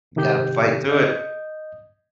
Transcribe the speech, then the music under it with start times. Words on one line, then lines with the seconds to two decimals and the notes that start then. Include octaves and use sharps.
you gotta fight through it.
0.16 C3 D#3 D#4 G4 G6
0.89 D#5 G6